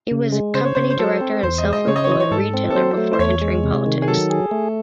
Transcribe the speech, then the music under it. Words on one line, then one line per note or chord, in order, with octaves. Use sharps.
He was a company director and self-employed retailer before entering politics.
C#3
G#3
C#3 C5
C#5
C#3 C5
C5
F#3 A4
C4
E2 C5
D#5
G#3
D#5
C#3 C#5
D#5
C#5
E3 D#5
C#5
G#2 A4
C4
A4
F#3 C5
A3
C5
E2 C#5
G#3
C3
D#3
G#4
F#3 A4
G#4
A3